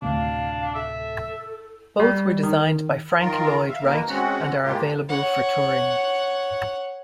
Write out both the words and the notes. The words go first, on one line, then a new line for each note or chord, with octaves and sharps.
Both were designed by Frank Lloyd Wright and are available for touring.
D2 A2 C3 D4 F5
A4 E5
G3
D#3
D#3 F4 A#4
E5 F5
B2 D#3 E3 A#3 A#4
G#3 C4 C#4 F#4 F#5
A2 G#3 A#3 F4 G4
C#5 F#5